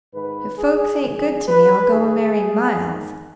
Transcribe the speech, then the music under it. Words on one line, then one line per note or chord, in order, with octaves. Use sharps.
If folks ain't good to me, I'll go and marry Miles!
G#2 D#3 B4
G#4
F#2 D#3 G#4
B4
G#2 D#3 G#4
G#2 D#3